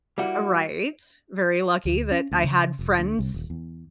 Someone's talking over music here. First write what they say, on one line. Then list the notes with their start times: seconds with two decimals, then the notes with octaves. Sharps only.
A right, very lucky that I had friends.
0.18 G3 A#3 E4 F#4
1.85 D2
2.11 C#4
2.31 D2
2.44 C#3
2.79 F1
2.99 D2
3.19 C2
3.34 D#1
3.50 E2